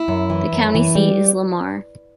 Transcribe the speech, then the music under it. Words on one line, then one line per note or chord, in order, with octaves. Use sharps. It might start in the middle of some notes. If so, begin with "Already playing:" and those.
The county seat is Lamar.
Already playing: E4
F#2
E3
F#2
E3
G3